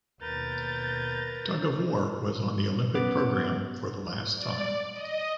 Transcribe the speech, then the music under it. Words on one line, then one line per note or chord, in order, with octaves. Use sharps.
Tug of war was on the Olympic program for the last time.
D#2 B2 A#4 B4 A#5 G6 A6
F#2 B3 B4 D6
D5
D#5